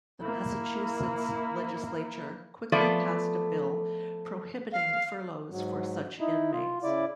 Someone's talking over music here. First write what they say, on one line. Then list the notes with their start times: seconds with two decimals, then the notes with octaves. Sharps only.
The Massachusetts legislature quickly passed a bill prohibiting furloughs for such inmates.
0.21 A#3 E4
2.72 F3 A3 B3 A4 D5
4.72 F5
5.51 G#2 F#3
6.20 D#4 E4
6.53 F4
6.83 C#3 E4 D5